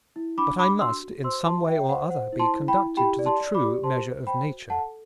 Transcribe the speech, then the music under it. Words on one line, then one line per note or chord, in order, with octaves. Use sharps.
But I must, in some way or other, be conducted to the true measure of nature.
E4
D4 B5 D6
D4 B5 D6
F#4 C6 E6
F#4
C5 C6 E6
F#4 A5 C6
F#4 E5 G5
G5
C5 F#5
C5 F#5
E4
A5 C6
E4
G5 B5
E4
G4 G5 B5
D5
A5 C6
D5
B5 D6
G4
C5 A5 C6
C5
C5 G5 B5
F#4
A4 F#5 A5